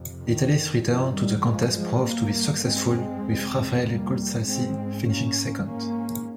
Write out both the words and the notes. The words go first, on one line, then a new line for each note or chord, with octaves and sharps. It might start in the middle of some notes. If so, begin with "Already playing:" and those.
Italy's return to the contest proved to be successful, with Raphael Gualazzi finishing second.
Already playing: F2 C3
D#3
G2 C#3 F3
D#3 G3
F3 G#3
F3 G#3
G2 G3 A#3
G#3 C4
F2 C3
G3 A#3
G#2 G#3 C4
A#3 C#4
G#2 A#3 C#4